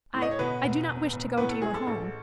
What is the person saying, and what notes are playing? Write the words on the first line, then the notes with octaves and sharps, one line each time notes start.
"I--I do not wish to go to your home."
A2
D#5
C#5
B2 B3 B4
E1
E2
E1
A2 B3 B4
A4
G#3 G#4
A4
A1 A4